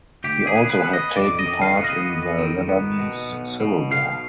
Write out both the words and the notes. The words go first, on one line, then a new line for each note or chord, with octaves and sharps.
He also had taken part in the Lebanese Civil War.
D2 G4
G#4
B3
B4
B3
D#5
F2 D5
D#5
D#3
F5
B3
D#5
F2
D#3
B3
B2
B1
B2
B1 F5